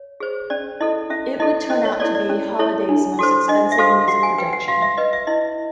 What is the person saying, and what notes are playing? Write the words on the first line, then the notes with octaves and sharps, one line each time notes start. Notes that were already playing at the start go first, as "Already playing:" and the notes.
It would turn out to be Holiday's most expensive music production.
Already playing: C#5
G#4 C5
C#4 D5
E4 A4 D#5
C#4 E5
E4 A4 D#5
C#4 D#5
C#5
E4 A4 C#5 D5
D5
C#4
E4 A4 C#5
D4
F#4 A4 C5
D4 D#5
E5
F#4 A4 C5 F5
F#4 F#5
G#5
B4 G5
F#5
F#4 F5
E5
B4 D#5
E5
E4 D#5